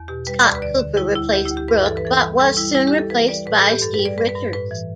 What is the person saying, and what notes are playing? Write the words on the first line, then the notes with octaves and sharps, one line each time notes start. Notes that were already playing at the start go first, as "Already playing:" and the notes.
Scott Cooper replaced Brook but was soon replaced by Steve Richards.
Already playing: E2
B2 G4
G3 B4
D2 D5
B4
D3 D5
D3
G3 E4
D2 E4
D2 G4
E4
D2
G4
G2 B4
E3 A4
B4
E3 A4
G3
G3 A4
G3 E4
G3 E4
G4
G3 A4
E3 B4
G3 D5
A2 B4
A4
A2
G4
G2 A4
B4
G3
D5
G2 B4
B4
G2
A2 B4
E3